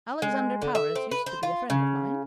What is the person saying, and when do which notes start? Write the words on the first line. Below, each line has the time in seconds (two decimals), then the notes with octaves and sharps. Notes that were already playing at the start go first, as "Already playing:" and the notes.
Alexander Powers used to be a friend of mine.
0.22 G#3
0.62 D3
0.75 E5
0.96 C4
1.12 B4
1.26 C5
1.43 F4
1.70 C#3